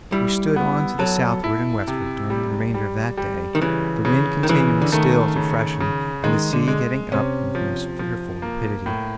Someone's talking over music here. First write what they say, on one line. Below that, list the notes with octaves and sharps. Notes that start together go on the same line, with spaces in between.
We stood on to the southward and westward during the remainder of that day, the wind continuing still to freshen, and the sea getting up with most fearful rapidity.
G3 E4
B3
F#3 A4
E4
C3
G3
G3
G3
D#3
C#3 E3
C#3
D#3
C#3 E3
D3
D#3 A3
C#3
C#3
D#3 G#3
D3
G#3
C3 C#4
F3
F3
A#3
A2